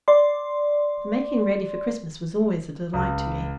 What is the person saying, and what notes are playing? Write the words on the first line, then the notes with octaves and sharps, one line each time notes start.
The making ready for Christmas was always a delight to me.
D5 C6
C#2